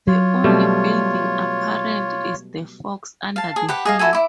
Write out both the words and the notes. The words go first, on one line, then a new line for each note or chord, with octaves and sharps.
The only building apparent is the "Fox under the Hill".
F#3 F4 C#5
B2 G3 A3
F5 A5
G#4
G4 B4 F#5
G#4 D#5 F5
E4 F#4 A4 G#5
E4 D6